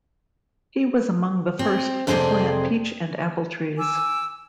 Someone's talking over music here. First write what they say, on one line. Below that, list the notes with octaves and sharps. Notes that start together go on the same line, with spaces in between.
He was among the first to plant peach and apple trees.
C4
F2 C3 C4 G#4 C5 D5
G#5 D6 E6